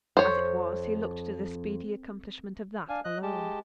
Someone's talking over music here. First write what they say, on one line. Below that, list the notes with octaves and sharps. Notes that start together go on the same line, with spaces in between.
As it was, he looked to the speedy accomplishment of that alone.
F2 C5 C#5
D4 F5 G#5
D#5 F#6
G#3 G4 A5